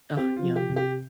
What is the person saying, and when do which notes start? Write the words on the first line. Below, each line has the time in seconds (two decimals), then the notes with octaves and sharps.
Ah, yum.
0.17 C4 G4
0.36 F4
0.43 F3
0.56 G4
0.69 C3
0.76 G4